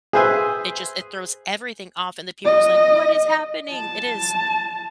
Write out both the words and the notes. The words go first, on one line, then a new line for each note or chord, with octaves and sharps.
it just it throws everything off, and the people are just like, "What is happening?" It is
G#4 B4 C5 E5 G#5
D#5
A5